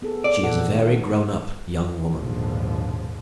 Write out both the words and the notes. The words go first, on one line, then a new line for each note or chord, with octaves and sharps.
She is a very grown-up young woman.
B3 G#4 A4
D5
A#2 A4 F#5
D#3
A#1 D#2 G#2 B2 D3 F3